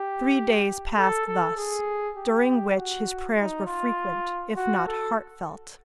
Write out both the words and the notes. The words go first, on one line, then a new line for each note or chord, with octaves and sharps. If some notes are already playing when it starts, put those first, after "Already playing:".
Three days passed thus, during which his prayers were frequent, if not heartfelt.
Already playing: G4
A4
A4
G#4
G4
F#4
D#4
F4
F#4
A4